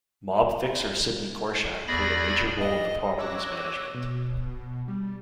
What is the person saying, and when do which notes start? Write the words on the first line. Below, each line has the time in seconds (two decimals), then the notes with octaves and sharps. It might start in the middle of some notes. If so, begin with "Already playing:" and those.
Mob fixer Sidney Korshak played a major role in the property's management.
1.88 E2 G#4 D5 B5 A#6
2.60 D#5
3.18 C#5 D6 E6 F#6 G#6 A#6
3.94 B2
4.88 G3